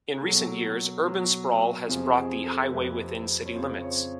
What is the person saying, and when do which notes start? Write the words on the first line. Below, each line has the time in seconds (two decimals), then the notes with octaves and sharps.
In recent years, urban sprawl has brought the highway within city limits.
0.13 G#4
0.21 B2 F#3 A4
1.05 B2 F#3
1.87 F2 C3 F3 G#4
2.16 G#4
2.44 A4
2.71 F2 C3 F3 B4
3.46 C#5
3.54 F2 C#3 F3 C5
3.81 C#5